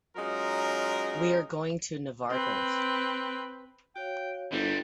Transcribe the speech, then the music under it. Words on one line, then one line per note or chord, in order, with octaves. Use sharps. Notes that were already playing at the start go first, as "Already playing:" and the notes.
We’re going to Navarcles.
F#3 G#3 C#4 D#4 F4 A#4
C4 B4
F#4 C#5 F5 G5
G1 D3 G3 E4 A4 A#4 C5